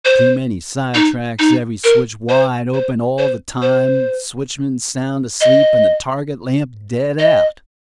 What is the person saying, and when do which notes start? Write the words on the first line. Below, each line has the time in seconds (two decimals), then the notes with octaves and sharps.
Too many side tracks; every switch wide open all the time, switchman sound asleep and the target-lamp dead out.
0.05 C5
0.94 D#4
1.39 D#4
1.84 A#4
2.29 C5
2.73 C5
3.18 C5
3.62 C5
5.40 D#5
7.19 D#5